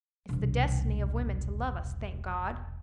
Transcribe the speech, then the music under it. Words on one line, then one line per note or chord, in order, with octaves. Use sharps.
It's the destiny of women to love us, thank God.
E1 C2